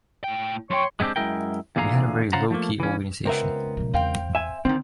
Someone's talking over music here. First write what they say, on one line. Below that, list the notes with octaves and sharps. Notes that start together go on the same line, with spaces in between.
We had a very low-key organization.
A2 G5
F#2 C#5 G5 C6 C#6
G#3 B3 C4 D4 G4
F#2 G#3 E4 A#4 G5
E2 A#2 D3 G#4 F5 A#5
C#3 F4 C5 F#5 A#5
F3 A3 A#3
E3 C#4
C#2 B3 C4 A#4 E5
B2 F3
E2 C4 F5 G5
E5 G#5
G#2 D3 D#3 C4